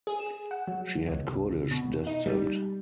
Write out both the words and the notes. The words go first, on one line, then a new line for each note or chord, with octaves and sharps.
She had Kurdish descent.
G#4
E7
F#5
F#3
C#2
C3
B2
D#4
G3